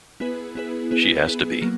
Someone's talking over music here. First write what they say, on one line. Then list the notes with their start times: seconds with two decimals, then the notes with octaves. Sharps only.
She has to be.
0.20 B3 E4 G#4 B4
0.55 B3 E4 G#4 B4
0.91 B3 E4 G#4 B4
1.26 B3 E4 G#4 B4
1.61 F#3 A#3